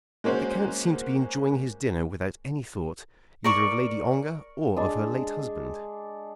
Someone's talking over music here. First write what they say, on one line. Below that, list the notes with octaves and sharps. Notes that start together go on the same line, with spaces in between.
But the count seemed to be enjoying his dinner without any thought either of Lady Ongar or of her late husband.
G#3 A#3 C#4 F#4 C5
A#4 D5 C#6
G#3 D4 E6